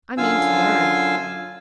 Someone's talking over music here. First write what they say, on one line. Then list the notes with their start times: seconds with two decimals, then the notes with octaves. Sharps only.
I mean to learn.
0.18 F#2 D3 F4 F5 G#5 E6